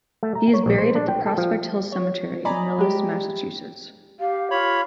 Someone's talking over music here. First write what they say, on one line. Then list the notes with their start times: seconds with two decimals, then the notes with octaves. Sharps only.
He is buried at the Prospect Hill Cemetery in Millis, Massachusetts.
0.23 A3
0.35 A#5
0.53 C#5
0.66 A#1
0.78 C5
0.95 D4
1.09 G5
1.26 A4
1.38 F3
1.92 C#5
2.45 D5 D#5 G#5 A#5 B5
2.79 G#3 G4
4.20 G4 F5
4.51 F4 C#5 B5